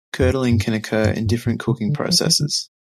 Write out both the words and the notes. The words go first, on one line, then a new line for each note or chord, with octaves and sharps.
Curdling can occur in different cooking processes.
F2
G2
G2
G2
A2
C3
D3
F3
E3
D3